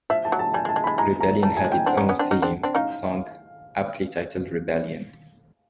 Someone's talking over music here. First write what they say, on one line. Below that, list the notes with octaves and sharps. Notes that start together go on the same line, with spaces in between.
Rebellion had its own theme song aptly titled "Rebellion".
F3 E5
A5
F#3
A5
G3 G#5
G#3
A5
G#3
B5
G#3
G#3 A#5
A#5
G3 A5
G#5
G#3
G5
C4 D4 F#5
C#4 D#4
B3 C#4
C4 D4
C#4 D#4
C4 D4
C4 D4
C#4 D#4 F5